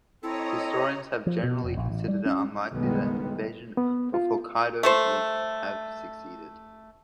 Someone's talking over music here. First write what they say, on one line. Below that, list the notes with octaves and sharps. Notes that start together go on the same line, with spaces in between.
Historians have generally considered it unlikely that an invasion of Hokkaido would have succeeded.
C4 E4 A4 C#5 D#5 A#5
F3
B2
F1
A#1
A1
G3
C#4
F#1 B1 D#3 G3 G#3 B3
B3
F4
A3 A4 C5